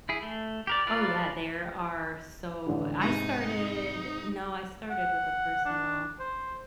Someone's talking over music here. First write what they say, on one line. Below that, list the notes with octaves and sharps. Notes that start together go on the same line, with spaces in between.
Oh, yeah. There are so I started no, I started with a personal
E4 G#4
A3
G4 A#4 D5
F4 A#4 B4 D5
A1 D3
G#2 C3 D#4
F#5
D4
C5